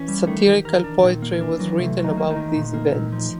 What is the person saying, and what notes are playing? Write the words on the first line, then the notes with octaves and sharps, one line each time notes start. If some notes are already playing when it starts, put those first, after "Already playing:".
Satirical poetry was written about these events.
Already playing: E3 C#4
G3
D#3 A3
G4
A#4
D4
A#2 D#3
A#3
D4
E3
F#3
C3 A3
F#3
D#4
A#3
D#4
D#3
A#2
A#3
A#2
F3